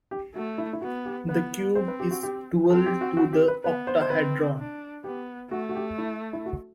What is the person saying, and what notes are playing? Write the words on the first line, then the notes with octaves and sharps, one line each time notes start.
The cube is dual to the octahedron.
G4
A3 F#4
E4
E4
B3 F#4
G4
B3 B4
C4 C5
B4
G4
F#4
G4
C4 A4
G4
F#4
F#4
G4
B4
B3 B4
C5
C5
C4 B4
D4
B3 G4
A3 F#4
F#4
G4
E4
E4
F#4